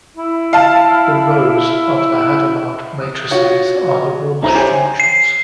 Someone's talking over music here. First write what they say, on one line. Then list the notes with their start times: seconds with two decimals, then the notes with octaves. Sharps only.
The rows of the Hadamard matrices are the Walsh functions.
0.17 E4
0.53 F5 A5
3.02 D#6
3.31 F4 F#4 C#5
4.43 B1 D#4 E4 C5 A#5
4.54 G4 C5 C#5 G5 G#5
5.00 C7